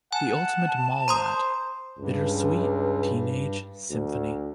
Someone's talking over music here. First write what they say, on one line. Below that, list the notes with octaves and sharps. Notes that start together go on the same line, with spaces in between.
The ultimate mallrat, bittersweet teenage symphony.
F#5 G#5 A5
C5 A#5 C6 D#6
C#2 G2
D2